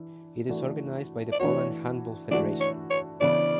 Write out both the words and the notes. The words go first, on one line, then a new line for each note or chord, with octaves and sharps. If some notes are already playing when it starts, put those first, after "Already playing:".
It is organized by the Poland Handball Federation.
Already playing: E3 D4
E3 A3 D4 F#4
D5
E3 A3 D4 F#4 C#5
E3 A3 D4 F#4 D5
C#5
C#5
C#3 E3 B3 D4 D5